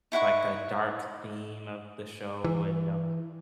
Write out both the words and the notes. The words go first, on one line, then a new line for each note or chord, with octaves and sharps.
like, the dark theme of the show and, you know.
D#4 E4 F#5 C#6
E3